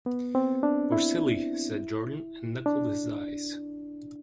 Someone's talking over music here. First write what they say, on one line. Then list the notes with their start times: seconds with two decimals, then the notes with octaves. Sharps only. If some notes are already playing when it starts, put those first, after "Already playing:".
"Or silly," said Jordan, and knuckled his eyes.
0.06 B3
0.35 C4
0.63 D4
0.92 E4
2.66 D4